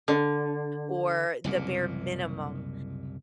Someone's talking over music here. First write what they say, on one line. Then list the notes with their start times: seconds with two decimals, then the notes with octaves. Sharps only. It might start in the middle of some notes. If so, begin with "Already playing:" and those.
or the bare minimum.
0.08 D3
1.44 F#1 C2 A#2